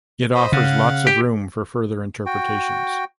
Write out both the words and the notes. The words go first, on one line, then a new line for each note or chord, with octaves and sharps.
It offers lots of room for further interpretations.
C5 D#5 B5
C#3 F5 F#5
G4
F#4 G5